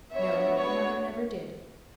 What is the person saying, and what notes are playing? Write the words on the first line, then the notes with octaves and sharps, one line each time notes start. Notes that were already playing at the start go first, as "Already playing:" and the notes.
No, the mother never did.
B3 D4 F#4 C#5 E5
C#5